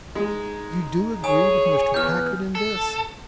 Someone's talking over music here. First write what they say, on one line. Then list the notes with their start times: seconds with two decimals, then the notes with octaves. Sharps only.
"You do agree with Mr. Packard in this?"
0.15 G#3 D#4
1.24 G#4 C#5 G#5 D#6
1.94 E2 B4 F6 G6
2.55 A4